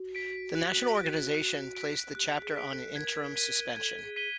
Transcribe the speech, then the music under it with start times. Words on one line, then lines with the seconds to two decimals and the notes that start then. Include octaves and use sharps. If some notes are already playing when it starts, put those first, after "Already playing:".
The national organization placed the chapter on an interim suspension.
Already playing: F#4
0.15 B6 D7
0.55 F#6
0.95 B6 D7
1.35 F#6
1.75 B6 D7
2.15 G4 F#6
2.36 G4
2.42 G#4
2.56 B6 D7
2.70 A4
2.95 A#4 G#6
3.36 B6 D#7 G7
3.76 A4 G#6
4.04 G#4
4.16 B6 D#7 G7